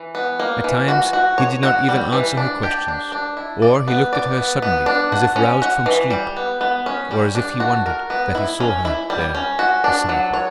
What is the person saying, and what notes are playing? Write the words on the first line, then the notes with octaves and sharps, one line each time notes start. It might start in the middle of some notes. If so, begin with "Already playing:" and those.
At times he did not even answer her questions, or he looked at her suddenly as if roused from sleep, or as if he wondered that he saw her there beside him.
Already playing: E3
B3
A#3
E3
F#4
F#4
C#5
F#4
G3
E3
D4
G4
D4
D4
E4
D5
B3
D5
B3
B3
D4
F#4
C#4
F#4
E3
G3
B3
B3
C#4
G3
D4
F#4
A#4
B3
E4
C#4
E4
G3
C#4
F#4
D4
F#3
C#5